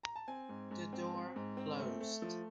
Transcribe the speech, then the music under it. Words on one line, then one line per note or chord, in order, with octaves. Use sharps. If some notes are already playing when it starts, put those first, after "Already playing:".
The door closed.
A#5
A5
C4 G#5
G#2
G#2
C4
C4
G#2
C4
A3
A3
F3